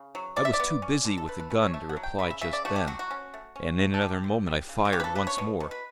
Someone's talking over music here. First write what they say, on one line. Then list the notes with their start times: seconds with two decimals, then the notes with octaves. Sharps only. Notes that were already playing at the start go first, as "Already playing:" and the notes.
I was too busy with the gun to reply just then, and in another moment I fired once more.
Already playing: C#3
0.15 F#3
0.36 C#3 D5
0.45 E5
0.53 D5
0.59 B3
0.82 C#4
1.05 D3
1.18 A4
1.28 A3 B4
1.40 B4
1.50 C#4 B4
1.63 C#5
1.74 A3 E5
1.89 F#5
1.97 F#3
2.03 G5
2.19 C#3 B5
2.31 E5
2.41 C#3 E5
2.53 D5
2.65 A3 F#4
2.76 G4
2.87 F#3 F#4
2.99 F#4
3.11 C#4
3.34 A3
3.56 C#4
3.79 A3
3.94 A4
4.01 D3 G4
4.24 D3
4.47 G3
4.69 C#3
4.85 F#4
4.93 C#3 G4
5.00 B4
5.04 A4
5.15 D4 B4
5.27 C#5
5.38 B2
5.60 B2
5.71 B4